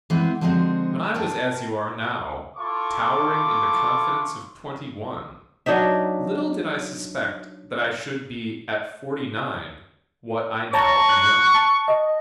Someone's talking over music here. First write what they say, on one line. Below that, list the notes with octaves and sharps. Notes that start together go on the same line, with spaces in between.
When I was as you are now, towering in the confidence of twenty-one, little did I suspect that I should be at forty-nine, what I now am.
E3 G#3 B3 C4
D3 F3 G#3 C4 D#4 F#4
A#4 D5 F5 G5 A5
E4 F4 A4 C#6 D6
F#3 D4 D#4 E5
C#5 A5 A#5 C#6
F#6
A5
D#5